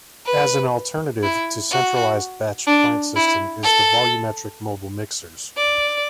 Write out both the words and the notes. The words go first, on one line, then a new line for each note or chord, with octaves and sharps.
As an alternative to centralized batch plant system is the volumetric mobile mixers.
B4
E4
F#4
D4
E4
A4
D5